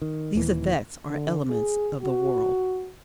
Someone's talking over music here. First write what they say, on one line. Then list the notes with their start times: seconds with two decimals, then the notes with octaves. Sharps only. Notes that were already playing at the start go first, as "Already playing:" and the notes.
These effects are elements of the world.
0.02 D#3
0.35 D#1 D#2 E3
1.10 D3
1.50 G#4
2.03 F#4